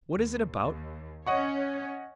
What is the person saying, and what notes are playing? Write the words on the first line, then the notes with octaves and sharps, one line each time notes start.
What is it about?
D#2
D#2
C#4 C#5 D#5 F#5 C#6